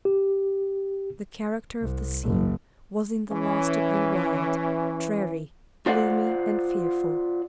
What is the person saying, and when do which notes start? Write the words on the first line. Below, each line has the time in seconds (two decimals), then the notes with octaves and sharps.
The character of the scene was in the last degree wild, dreary, gloomy and fearful.
0.05 G4
1.82 C2
2.24 F#1
3.30 E3 C#4
5.86 F4 C5 D5 F5 F#5